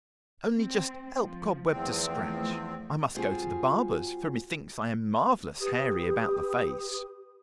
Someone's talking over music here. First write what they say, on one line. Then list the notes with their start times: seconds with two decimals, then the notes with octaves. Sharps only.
"Only just help Cobweb to scratch. I must go to the barber's, for methinks I am marvelous hairy about the face."
0.59 C4
1.22 F3
1.70 E2 F3 A3 C4
3.15 G3 C4 F4 F#4 G#4
5.61 G4 B4 D#6